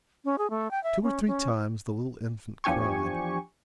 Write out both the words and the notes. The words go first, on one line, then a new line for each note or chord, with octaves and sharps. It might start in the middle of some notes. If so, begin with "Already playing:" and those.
Two or three times the little infant cried.
C#4
G#4
A3
G5
E5
C#4
C#4
E2 F3 D4 G4 G#5 C#6